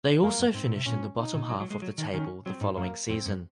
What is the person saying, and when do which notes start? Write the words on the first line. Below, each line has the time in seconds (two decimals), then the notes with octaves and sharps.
They also finished in the bottom half of the table the following season.
0.23 F2 A#3
0.39 F#2
0.54 G#2 C4
0.65 A#2
0.76 C3
0.86 A#2 C#4
1.18 D#4
1.34 A#2
1.49 F#3
1.60 F#3
1.70 G#3
1.82 F#3
1.98 D#3
2.13 D#3 C#4
2.46 F#3 C4
2.61 G#2
2.77 F#2 A#3
3.09 F2 C4
3.26 F#2